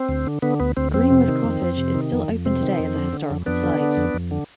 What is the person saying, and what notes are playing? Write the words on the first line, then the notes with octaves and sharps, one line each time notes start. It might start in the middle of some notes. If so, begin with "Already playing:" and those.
Greenwith Cottage is still open today as a historical site.
Already playing: C4
D2
D3
D3 B3
D2 B3
D2 C4
F2 C4
C3
D#3
F2
F2
C3
D#3
F2
F2
C3 C4
D#3
F2
D3
D3
F2
F2 B3 D4
D3
D3
F2
F2
D3